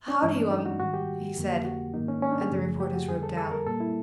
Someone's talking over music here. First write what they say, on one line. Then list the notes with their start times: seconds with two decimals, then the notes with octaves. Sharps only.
'How do you--um!' he said, and the reporters wrote down.
0.08 D4
0.22 G2 E3 G#3 C#4
0.37 D4
0.51 D#4
0.66 F#4
0.79 G#2 D#3 G3 F#4
0.94 G4
1.37 F2 D3 F#3 A#3
1.65 F#4
1.94 G#2 D#3 F#3 A#3 D#4
2.08 C#4
2.22 C#4
2.32 D4
2.41 G#4
2.51 F#2 C#3 F3 A3
2.80 G4
2.94 F#4
3.08 F2 D3 G3 G#4
3.23 A4
3.37 A4
3.52 A#4
3.66 A#2 G3 A#3 A4
3.80 E4